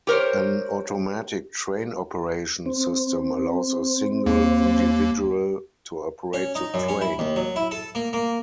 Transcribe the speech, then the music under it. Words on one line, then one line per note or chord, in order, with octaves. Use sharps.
An automatic train operation system allows a single individual to operate the train.
G4 A#4 C5 C#5
C4
D#2 A#3
C#4
D#4
F#2
C#4
E4
D#2
F#3
E4
A4
A#3
A#3